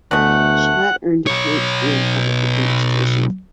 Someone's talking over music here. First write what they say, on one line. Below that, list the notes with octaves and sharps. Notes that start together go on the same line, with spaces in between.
Shelat earned a PhD in public administration.
D2 B2 E3 A3 F#5
B1 C#5